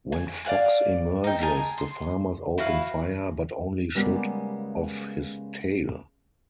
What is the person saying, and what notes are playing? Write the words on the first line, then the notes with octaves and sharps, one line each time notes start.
When Fox emerges, the farmers open fire, but only shoot off his tail.
G#5
D5 F5 F#5 G#5
D#4 G5
G#4 A#4 G#5 A5
C6
E4 F#4 B4 F5
C#3 G3 G#3 A#3 B3 G4